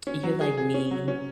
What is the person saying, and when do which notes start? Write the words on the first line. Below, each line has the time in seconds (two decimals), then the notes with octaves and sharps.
You're like me.
0.07 C#4
0.23 F#3
0.41 G#4
0.57 G#4
0.74 C#4
0.91 F#3
1.08 C#4